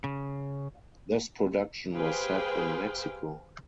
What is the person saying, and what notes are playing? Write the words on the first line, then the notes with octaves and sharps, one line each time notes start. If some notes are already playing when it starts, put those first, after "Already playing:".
This production was set in Mexico.
C#3
G4 G#4 B4 C5 F5 G5